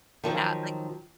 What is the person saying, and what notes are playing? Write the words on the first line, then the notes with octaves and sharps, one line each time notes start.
Yeah, like
D#3 F3 F#3